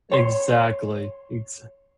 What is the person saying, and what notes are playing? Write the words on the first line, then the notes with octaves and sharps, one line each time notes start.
Exactly. Exa
C#5 C6